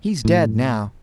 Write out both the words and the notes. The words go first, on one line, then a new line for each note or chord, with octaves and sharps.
He's dead, now.
A2